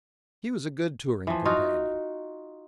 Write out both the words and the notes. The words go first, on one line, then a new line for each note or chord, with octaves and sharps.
He was a good touring companion.
E3 F3
D#4 F4 F#4